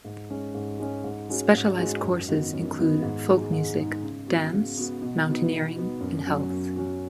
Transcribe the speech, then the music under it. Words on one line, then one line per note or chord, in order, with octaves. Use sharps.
Specialized courses include folk music, dance, mountaineering and health.
G#2
G#3 C#4
G#2
G#3 C#4
G#2
G#3 C#4 F#4
G#2
G#3 C#4 F#4
F#2
D#3 B3 F#4
F#2
D#3 B3 F#4
G#2
G#3 D#4
G#2
G#3 D#4
C#3
B3 F#4
C#3
B3 F#4
B2
B3 D#4 F#4
B2
B3 D#4 F#4
F#2
F#3 C#4 F#4
F#2
F#3 C#4 F#4